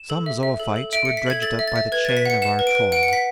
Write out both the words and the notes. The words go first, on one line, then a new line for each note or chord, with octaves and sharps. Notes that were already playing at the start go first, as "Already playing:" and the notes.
Some zoophytes were dredged up by the chain of our trawl.
Already playing: E7
A4
E5
E5
A4
A4
E5 D7
E5 C#7
B6
A4 G#6
A4 A6
E5
A6
E5
B4 G#6
A6
B4
B6
F#5 C#7
F#5 E7
B4
D7
B4
F#5 D7
C#7
F#5 B6